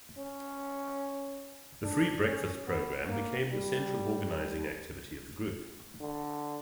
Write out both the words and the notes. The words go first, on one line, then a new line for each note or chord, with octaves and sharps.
The Free Breakfast Program became the central organizing activity of the group.
C#4
D4
C#4
B3
A#3
G3
D3